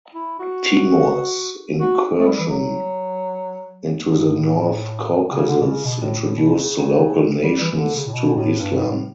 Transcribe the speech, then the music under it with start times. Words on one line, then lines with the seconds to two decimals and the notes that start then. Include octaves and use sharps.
Timur's incursion into the North Caucasus introduced the local nations to Islam.
0.15 E4
0.39 F#4
1.79 F#4
2.19 A3
2.26 G3
2.39 E3
2.49 F#3
4.14 G2
4.37 A2
5.32 C#3
5.49 D3
5.61 B2
5.67 C#3
5.85 B2
6.01 A2
6.19 A2
6.38 B2
6.54 C#3
7.42 G3
7.60 E3
7.72 E3
7.77 D3
7.96 C#3
8.07 A2
8.13 B2
8.36 A2
8.60 G2
8.76 G2
8.83 A2